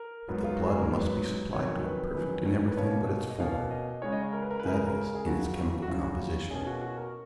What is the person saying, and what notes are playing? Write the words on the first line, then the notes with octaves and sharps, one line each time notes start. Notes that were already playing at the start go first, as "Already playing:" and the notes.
But the blood must be supplied to it perfect in everything but its form--that is, in its chemical composition.
Already playing: A#4
G#2 F#3 B3
F4
F#4
G#4
A#4
G#2 F#3 B3 B4
F2 D#3 F#3 C#4 C#5
B4
F2 D#3 F#3 C#4 B4
C#5
B4
B2 A#3 C#4 C#5
D#5
B2 A#3 C#4 F5
D#5
C#3 G#3 C#4 C#5
D#5
C#5
A#4
B4
A#4
B4
C#3 G#3 C#4 A#4
B4
A#4
G#4
F#2 C#3 F3 F#4
F#4
F#2 C#3 F3 F4
F#4
F4
F4
B2 A#3 C#4 G#4
F#4
F#4
A#4